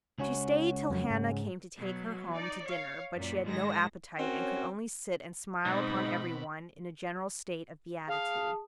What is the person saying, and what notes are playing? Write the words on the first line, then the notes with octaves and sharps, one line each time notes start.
She stayed till Hannah came to take her home to dinner, but she had no appetite, and could only sit and smile upon everyone in a general state of beatitude.
C#2 C#4 F#4
F2 F#3
G#2
B2 F#3
D#4 D5
C#5 F5
F#2 A#2
G#2 D#3 G#3 A#6
C4 C#4 F#4 A#4 C#5
G#2 B2 C4 D#4 B5
G#4 F5 A5 D#6